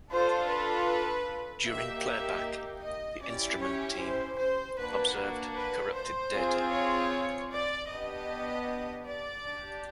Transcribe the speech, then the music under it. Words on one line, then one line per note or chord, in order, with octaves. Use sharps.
During playback the instrument team observed corrupted data.
D4 F4 A4 C5
B4
A#3 D#4 G4 E5
E5
D#5
C#4 E4 G4 D5
C#5
C5
C5
A#3 D4 F#4 B4
B4
C5
C4 F4 G#4
C#5
D5
B3 D4 G4 D#5
D5
D4 G4